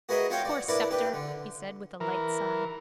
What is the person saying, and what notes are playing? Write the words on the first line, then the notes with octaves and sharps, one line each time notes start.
Poor Sceptre! he said with a light sigh.
F#4 G#4 A#4 B4 D#5 E5
F4 F#4 C#5 F5 G5
D5 F#5
D4 E4 A#4 B4 D5
D4 G4 B4
D3
E3 A#4